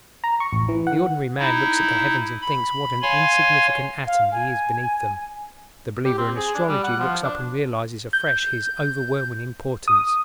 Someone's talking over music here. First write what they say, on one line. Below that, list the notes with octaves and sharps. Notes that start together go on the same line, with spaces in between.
The ordinary man looks at the heavens and thinks what an insignificant atom he is beneath them; the believer in astrology looks up and realizes afresh his overwhelming importance.
A#5
C#6
A1
E3
F#5
D#4 E4
B5
C#5 F5 G#5 C6
F5
G#5
G4
C4
G#4
D4
G3
F#5
F3
D4
G6
D#6